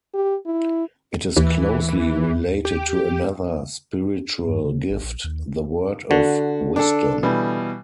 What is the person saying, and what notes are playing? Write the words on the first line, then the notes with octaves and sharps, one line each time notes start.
It is closely related to another spiritual gift, the word of wisdom.
G4
E4
D#2 E3
G4
G2
C#3
A1
A#1
D#2
D3 F#4
D4 A4
B2 E3 G3